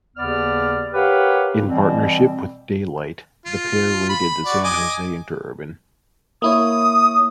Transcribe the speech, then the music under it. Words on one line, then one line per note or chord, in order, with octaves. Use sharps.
In partnership with Daylight, the pair raided the San Jose Interurban.
D#2 C#3 B3 D5 F6
G4 A#4 B4 C#5 F5 F#5
B2 E3 G3 C4
F4
B5
F#4 D5
D#5 G#5 D6
A#3 E4 C#5 D#6